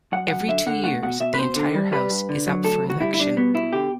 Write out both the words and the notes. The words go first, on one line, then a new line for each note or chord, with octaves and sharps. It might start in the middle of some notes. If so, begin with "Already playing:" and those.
Every two years, the entire House is up for election.
F#2 F#5
F#2 F#5
D3 E5
D3 F#5
A3 F#5
B2 F#5
B2 E5
B4
B2 C5
D3
G3
G3 B4
G2
D3
F#3
D2 A4
D2
F#4
G3 E4
E4
G3 D4
B2 B3
B2 E4
D3 G4